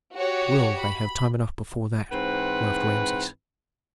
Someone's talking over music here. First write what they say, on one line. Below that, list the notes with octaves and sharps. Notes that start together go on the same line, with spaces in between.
"Well, they have time enough before that," laughed Rameses.
F#4 G4 C#5
B5
G#2 E3 C4 B4 C5 F#5